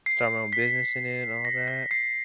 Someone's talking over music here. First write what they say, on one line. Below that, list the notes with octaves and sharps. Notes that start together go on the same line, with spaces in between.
Start my own business in it and all that.
C7
B6
A#6
B6
C7